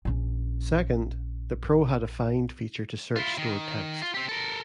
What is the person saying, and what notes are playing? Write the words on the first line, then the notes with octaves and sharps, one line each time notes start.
Second, the Pro had a "find" feature to search stored text.
A#1 C#4
E4 F4
D#3
F4
C4 G4
A4 A#4